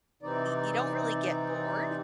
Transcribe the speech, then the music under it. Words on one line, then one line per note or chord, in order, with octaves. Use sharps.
Y You don't really get bored
C3 E3 C4 D#4 D5